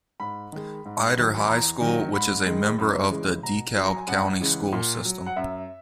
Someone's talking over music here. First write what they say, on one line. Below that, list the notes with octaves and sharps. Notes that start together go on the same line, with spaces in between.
Ider High School, which is a member of the DeKalb County School System.
G#2 B5
D#3 G#3
G#2
D#3 F#3
B5
E2 A#5
D#3 F#3
G#2 B5
D#3 G#3
F#2
C#3 E3 G#3
B2 A#5
F#3
A#5
G#5
F#2 F#5
C#3 E3 G#3
A#2
F#3
F#5
F#2 E5